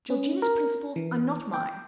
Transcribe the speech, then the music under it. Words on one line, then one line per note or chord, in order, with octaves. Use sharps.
'Georgina's principles are not mine.
C#4
A#4
E3
G5